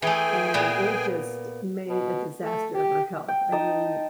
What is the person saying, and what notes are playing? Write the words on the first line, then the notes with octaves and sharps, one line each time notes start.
And it just made a disaster of her health, I mean,
E3 A3 G#4 G5 G#5
A#2 B3
B2
A3
G4
G5
D#4 D#5 A5